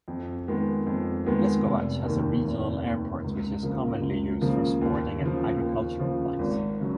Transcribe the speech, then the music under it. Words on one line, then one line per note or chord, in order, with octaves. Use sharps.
Leskovac has a regional airport, which is commonly used for sporting and agricultural flights.
F2
D#3 G#3 B3
F2
D#3 G#3 B3
F1
D#2 D#3
F1
D#2 D#3
C#2
C#3 F3 A#3
C#2
C#3 F3 A#3
D#2
C#3
F3
D#2
C#3 F3
G#1
C#3 F#3 C#4